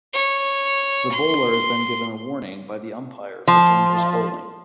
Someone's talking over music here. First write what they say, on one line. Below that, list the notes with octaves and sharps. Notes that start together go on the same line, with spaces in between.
The bowler is then given a warning by the umpire for dangerous bowling.
C#5
C6
F3